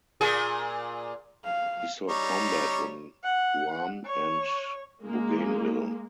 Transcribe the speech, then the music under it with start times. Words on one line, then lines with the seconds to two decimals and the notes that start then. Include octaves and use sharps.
He saw combat on Guam and Bougainville.
0.21 A#2 G#4
1.44 F5
2.08 G3 D#4 C#5
3.24 F#5
4.05 C#5
5.04 G#3 A#3